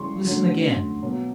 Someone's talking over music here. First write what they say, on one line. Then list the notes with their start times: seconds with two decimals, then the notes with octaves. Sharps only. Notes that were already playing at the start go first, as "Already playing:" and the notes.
Listen again.
Already playing: C#3 E3 G#3 C6 C#6
0.25 D3 F#3 A3
1.02 B2 F#3 A#3